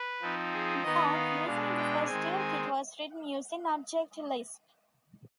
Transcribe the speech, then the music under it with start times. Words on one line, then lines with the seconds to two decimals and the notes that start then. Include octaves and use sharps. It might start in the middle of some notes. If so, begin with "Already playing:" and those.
There, the user interface toolkit was written using Object Lisp.
Already playing: B4
0.21 F3 C4 D#4
0.53 G#4
0.83 D#3 B3 D#4 D#5
1.14 F5
1.46 B2 G#3 D4
1.77 G5
2.07 D#3 G#3 C4 G#5
2.39 G#5